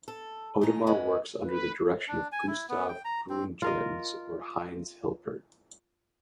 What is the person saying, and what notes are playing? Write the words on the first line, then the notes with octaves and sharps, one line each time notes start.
Odemar works under the direction of Gustav Gründgens or Heinz Hilpert.
A4
A#2 D#3 C#4 A#5
E2 G#2 G#3 B4
B4
D4
G#5
E4
B3
G5
A#5
C4
F4 A#4 D#5